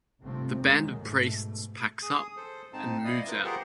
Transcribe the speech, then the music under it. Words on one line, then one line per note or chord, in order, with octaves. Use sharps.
The band of priests packs up and moves out.
G1 C3 F3 A3 C4
F#2 D#3 F#3 G#3
G#2 B2 A3
G#4 D#6
A4 C5
G#2 C4 D#4 A5
E4 D5 D#5 F5 D#6
F3 F4 A#4 B4
F4 G4 G#4 A#4 C5 F#5